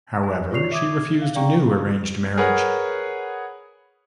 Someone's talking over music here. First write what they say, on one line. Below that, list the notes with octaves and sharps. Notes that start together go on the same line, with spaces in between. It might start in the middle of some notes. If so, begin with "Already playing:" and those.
However she refused a new arranged marriage.
G#5
F4 C#5 D5 C#6 C7 F7
E5 D6 D#6 G#6
F5
D5 F5 G5 A#5 C#6
G#4 A#4 B4 C#5 F#5